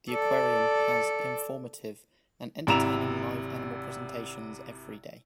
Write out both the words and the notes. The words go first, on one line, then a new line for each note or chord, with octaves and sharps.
The aquarium has informative and entertaining live animal presentations every day.
A4 D5
G#1 C3 E4 A#5 E7 F7